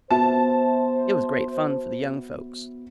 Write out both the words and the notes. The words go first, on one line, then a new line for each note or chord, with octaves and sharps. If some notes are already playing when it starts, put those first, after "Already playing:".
It was great fun for the young folks.
B3 F#4 C5 E5 A5